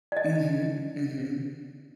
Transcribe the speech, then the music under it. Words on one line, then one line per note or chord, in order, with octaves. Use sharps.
Mhm, mhm.
D5 D#5